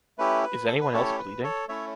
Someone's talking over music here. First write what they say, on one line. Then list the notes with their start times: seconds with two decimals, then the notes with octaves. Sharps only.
Is anyone else bleeding?
0.18 A3 C#4 E4 G4 B4
0.43 B4
0.67 A4
0.81 B4
0.93 A3 C#4 E4 G4 A4 C#5
1.18 B4
1.43 A4 C#5
1.69 A3 C#4 E4 C#5 E5